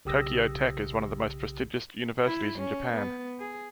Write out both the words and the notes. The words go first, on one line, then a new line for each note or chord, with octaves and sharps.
Tokyo Tech is one of the most prestigious universities in Japan.
B1 C#3 G4 D#6 E6 A#6
E4
C#4
B3
G#4